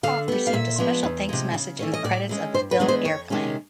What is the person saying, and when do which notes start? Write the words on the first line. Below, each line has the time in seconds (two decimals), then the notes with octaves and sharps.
Proft received a special thanks message in the credits of the film Airplane!
0.03 D3 F5
0.28 G3 B3
0.47 F5
0.53 A#2 E5
0.78 F3 G#3 B3 D4
1.03 E2
1.29 C3 F3 G#3
1.54 C#3
1.79 E3 A3 C#4
1.94 D#5
2.04 A2 D5
2.29 E3 G#3 C#4
2.54 G2 C5
2.71 B4
2.80 E3 G#3 B3 D4
2.88 C5
3.05 F2 C#5
3.30 C3 D#3 G#3 C#4